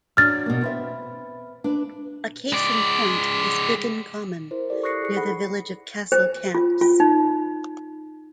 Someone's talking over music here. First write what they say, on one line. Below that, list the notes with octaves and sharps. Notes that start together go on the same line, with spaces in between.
A case in point is Biggin Common, near the village of Castle Camps.
F#3 D4 F6 A6
B2 A#3
C4 B4 E5
D4 B4
G#3 D5
E4 A#4 C5
E4 G4 A4 D5
C#6 D#6 F#6 A#6 C7 C#7
G#4 C#7
D#4 G#4 A4 F#5 B5
C5
F4
F4
D#4